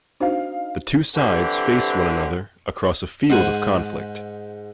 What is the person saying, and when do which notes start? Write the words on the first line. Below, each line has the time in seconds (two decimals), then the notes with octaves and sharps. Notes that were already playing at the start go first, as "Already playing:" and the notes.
The two sides face one another across a field of conflict.
0.20 D4 D#4 F#4 C5 F5
1.15 D3 E3 G3 C4 G4
3.30 G#2 C5 F#5 G#5